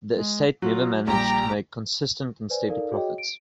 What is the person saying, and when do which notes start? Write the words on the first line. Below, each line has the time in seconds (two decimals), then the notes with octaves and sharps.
The estate never managed to make consistent and steady profits.
0.15 G#3
0.62 F#3 F4
1.07 A#1 G3 G4 A#5
2.50 B4 C5 D5 G#5
2.68 D#4 A4 A#4 D5 F5
2.91 F#4 G#4 C#5 D#5 G5
3.18 D7